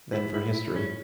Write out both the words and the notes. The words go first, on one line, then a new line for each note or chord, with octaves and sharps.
than for history.
E4
E4
E4
C#4